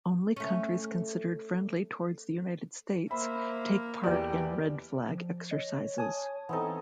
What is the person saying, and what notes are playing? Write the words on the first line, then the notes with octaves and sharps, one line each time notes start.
Only countries considered friendly towards the United States take part in Red Flag exercises.
A3 C#4
A#3 C5 E5 B5
E2 B2 G4 D5
F3
C#5 D#5
G#5 A5 D#6
E3 B3 C4 D#4 A4